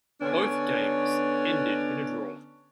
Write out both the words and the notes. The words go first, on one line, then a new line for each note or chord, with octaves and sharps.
Both games ended in a draw.
D3 B3 C#4 D4 C#5